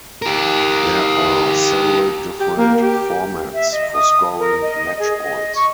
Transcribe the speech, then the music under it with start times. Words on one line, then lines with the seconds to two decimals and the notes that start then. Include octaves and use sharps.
There are several different formats for scoring match points.
0.22 G4 A#4
2.40 G4
2.57 A#3
2.81 G4
3.54 E5
3.72 D#5
3.94 D#6
4.39 A#4
4.62 D#5
4.99 G#4
5.17 D#5
5.55 C#6